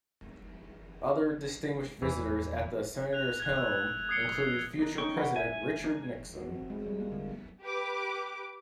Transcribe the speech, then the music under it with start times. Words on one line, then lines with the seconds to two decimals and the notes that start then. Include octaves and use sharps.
Other distinguished visitors at the senator's home included future President Richard Nixon.
2.02 E2 D#3 E3
3.13 F#6 F7
3.40 F#6 G#6
3.58 E6
4.09 D#6 G#6 C7 C#7 G7
4.35 G#6
4.79 D4 D#4 A#4
4.98 C#4 D#4 G5 C#6
5.16 A#4 B4 F#5
5.36 E5 G#5
5.84 D4 A#4
6.36 F#4
6.55 C4
6.70 G#3
6.86 G3
7.00 A#3
7.12 D3
7.61 G4 B4 D6